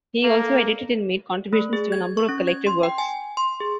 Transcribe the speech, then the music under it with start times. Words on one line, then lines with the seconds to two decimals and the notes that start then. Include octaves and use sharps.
He also edited and made contributions to a number of collective works.
0.24 A#3 A4
1.53 A3
1.73 G#4
1.92 G#6
2.17 C#6
2.29 C#4
2.47 G#6
2.67 C6
2.83 G5
2.98 G#5
3.37 C6
3.60 G#4